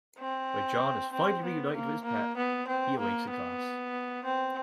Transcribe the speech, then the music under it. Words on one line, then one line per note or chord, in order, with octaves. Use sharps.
When John is finally reunited with his pet, he awakes in class.
C4
C4
B3
A#3
A#3
B3
C4
A#3
B3
C4